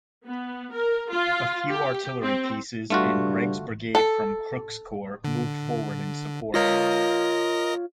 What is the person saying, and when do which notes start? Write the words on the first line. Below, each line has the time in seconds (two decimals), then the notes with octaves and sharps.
A few artillery pieces and Gregg's brigade from Crook's corps moved forward in support.
0.24 B3
0.71 A#4
1.10 F4
1.68 G4
2.23 C4
2.90 G2 A3 F4 F#4
3.95 A4
5.24 D3
6.54 F4 A#4 C#5 D#5 F5 A#6